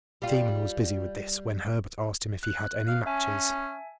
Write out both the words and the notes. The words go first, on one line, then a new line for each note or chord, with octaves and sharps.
The seaman was busy with this, when Herbert asked him if he had any matches.
G3 F4
F#6
F5
C#4 E5 G#5 A5